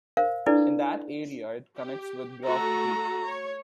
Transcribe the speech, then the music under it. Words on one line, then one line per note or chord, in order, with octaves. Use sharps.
In that area, it connects with Groff Creek.
A#4 C5 F5
D4 E4 A4 B4 D5
G4
A3 F#4 A4 A#5
C#5